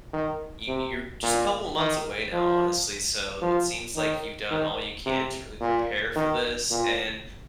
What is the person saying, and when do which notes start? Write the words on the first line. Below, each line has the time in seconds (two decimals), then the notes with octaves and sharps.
you you're just a couple of months away now, honestly so it seems like you've done all you can to really prepare for this and
0.13 D#3
0.68 C3
1.23 A#2
1.77 D#3
2.33 F3
3.42 F3
3.96 D#3
4.51 D#3
5.06 C3
5.61 A#2
6.16 D#3
6.71 A#2